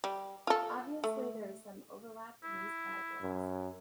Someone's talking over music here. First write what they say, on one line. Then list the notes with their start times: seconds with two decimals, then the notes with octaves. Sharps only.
Obviously there is some overlap in these categories.
0.04 G3
0.47 F4 A4
1.04 A3
2.44 E4
3.22 F#2